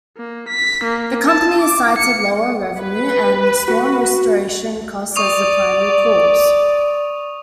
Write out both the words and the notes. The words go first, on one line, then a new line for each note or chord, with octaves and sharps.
The company cited lower revenue and storm restoration costs as the primary cause.
A#3
B6
A#3
A5
D6
C#7
B4
F#4
D5 C#6 D#6 F7